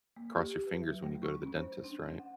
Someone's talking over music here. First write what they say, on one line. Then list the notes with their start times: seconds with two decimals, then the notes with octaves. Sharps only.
cross your fingers when you go to the dentist, right?
0.17 A#3
0.37 G4
0.67 B4
0.82 F#3
1.02 A3
1.23 C#6
1.42 C#4
1.56 C5
1.84 D4
2.19 F#5